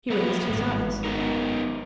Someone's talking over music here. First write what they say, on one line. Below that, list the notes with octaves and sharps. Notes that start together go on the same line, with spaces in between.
He raised his eyes.
A3 A#3 B4
G#1
B3 D#4 A#4